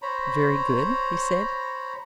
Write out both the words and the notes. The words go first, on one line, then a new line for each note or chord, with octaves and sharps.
Very good, he said.
C5 C#5 A#5 B5